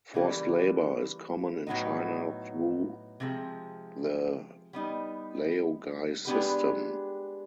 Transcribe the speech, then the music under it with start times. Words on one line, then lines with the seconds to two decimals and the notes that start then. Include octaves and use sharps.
Forced labor is common in China through the laogai system.
0.14 C#3 E3 G3 A#3
1.67 A2 F#3 B3 D#4
3.20 C3 F3 G#3
4.73 G3 B3 D#4
6.25 G#3 B3 D4 G4 B4